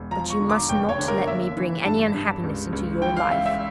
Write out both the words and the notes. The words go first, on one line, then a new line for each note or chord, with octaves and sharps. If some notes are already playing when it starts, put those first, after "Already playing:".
But you must not let me bring any unhappiness into your life.
Already playing: E1
F3 A#5
C#6
D3
D6
F1 G5
C#5
D3
A#4
A#3 E5
E3
G2 A5
G2
C#2
C#2
E3 G5
F5
C#2 E5
E5